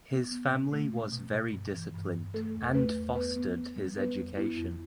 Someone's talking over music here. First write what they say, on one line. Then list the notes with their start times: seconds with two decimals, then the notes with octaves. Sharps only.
His family was very disciplined and fostered his education.
0.12 B3
0.31 B3
0.51 B2
0.72 A3
0.93 B2
1.13 B2
1.33 B2
1.54 G2
1.74 E3
1.94 G2
2.14 G2
2.34 A3 A4
2.55 E2
2.75 A3 B4
2.96 E2
3.15 B3 B4
3.36 B3
3.56 B3
3.76 G3
3.97 B3 B4
4.17 F2
4.37 B3 E4
4.57 F2